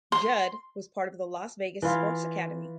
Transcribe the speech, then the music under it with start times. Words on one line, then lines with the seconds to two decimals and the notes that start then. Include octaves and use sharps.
Judd was part of the Las Vegas Sports Academy.
0.12 C6
1.82 E3 E4 F4